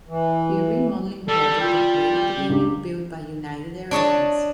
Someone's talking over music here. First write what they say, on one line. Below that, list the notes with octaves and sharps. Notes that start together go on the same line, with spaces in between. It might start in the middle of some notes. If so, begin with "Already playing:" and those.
The remodeling project upgraded the building built by United Airlines.
E3
G3 A4
F4 G5
C#3
C#2 F#2 D4 G4
D4 C#5 D#5 A5